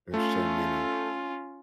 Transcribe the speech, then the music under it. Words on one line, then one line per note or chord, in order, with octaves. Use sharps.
There's so many.
A3 C#4 F4